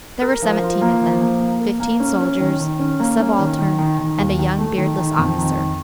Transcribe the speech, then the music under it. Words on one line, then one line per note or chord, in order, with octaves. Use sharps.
There were seventeen of them, fifteen soldiers, a subaltern and a young beardless officer.
A#4
F3
F4
A#3
F3
A#3
A#3
A#4
A#3
C#4
C#4
D#3
D#3
C#4
A#3
C#4
D#3
D#3
D#3
D#3
D#2
D#3
A3
D#3
D#3
F2
D#3